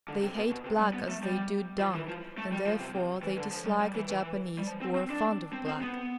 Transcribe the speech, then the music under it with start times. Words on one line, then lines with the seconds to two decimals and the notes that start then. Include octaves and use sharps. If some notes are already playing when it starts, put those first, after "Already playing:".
They hate black as they do dung, and therefore they dislike the Japanese, who are fond of black.
0.08 D3
0.22 C3
0.36 B2
0.51 B2
0.65 C3
0.79 G3
0.93 B3
1.09 A3
1.23 G3
1.79 F3
1.95 E3
2.08 F3
2.38 A3
2.52 G3
2.66 F3
2.80 C3
2.95 C3
3.23 E3
3.38 D3
3.52 F3
3.66 G3
3.80 G3
3.95 E3
4.10 E3
4.58 G3
4.67 F3
4.82 C4
4.95 C4
5.10 D4
5.53 C4
5.67 C4
5.82 B3